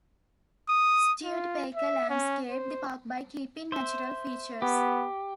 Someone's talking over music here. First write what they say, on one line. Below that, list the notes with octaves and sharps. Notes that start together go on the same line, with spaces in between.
Studebaker landscaped the park by keeping natural features.
D#6
F4
E5
C#4
C5
C5 E5
B3 G4